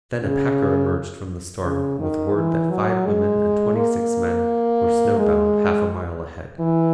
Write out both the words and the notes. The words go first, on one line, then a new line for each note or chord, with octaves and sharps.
Then a packer emerged from the storm with word that five women and twenty-six men were snowbound half a mile ahead.
C#3
C#3
D#3
E3
F#3
G#3
A#3
G#3
E3